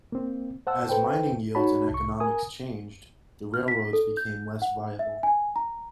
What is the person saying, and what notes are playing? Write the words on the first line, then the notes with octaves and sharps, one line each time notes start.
As mining yields and economics changed, the railroads became less viable.
A#3 C4
C5 F#5 A5 E6
A4 B4 C5 G5
D#4 F#4 C#5 A5 B5
C2 C#6
A#4 G#5 D#6
F6
B6
A4
G6
F#5
E5
G#5
A#5